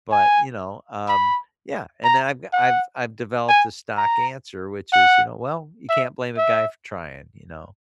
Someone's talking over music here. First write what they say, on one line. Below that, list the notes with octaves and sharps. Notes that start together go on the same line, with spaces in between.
but, you know, um Yeah, and then I've I've I've developed a stock answer, which is you know, "Well, you can't blame a guy for trying, you know"
G#5
B5
A#5
F#5
G#5
A#5
F#5
E5
E5